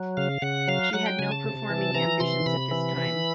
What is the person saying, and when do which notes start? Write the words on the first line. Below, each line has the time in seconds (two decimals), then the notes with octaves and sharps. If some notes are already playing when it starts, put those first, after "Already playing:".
She had no performing ambitions at this time.
Already playing: F#3
0.17 C#3 F5
0.42 C#3 F#5
0.68 F#3 F5
0.93 F#3 F#5
1.06 G5
1.19 C#3 G#5
1.31 A5
1.44 C3
1.70 E3
1.95 E3 A#5
2.20 C3 C6
2.46 C3 B5
2.71 E3
2.97 E3